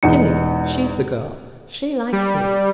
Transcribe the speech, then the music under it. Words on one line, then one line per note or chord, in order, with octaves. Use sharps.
Tillie--she's the girl--she likes me.
E1 E2 D#4 C#7
G3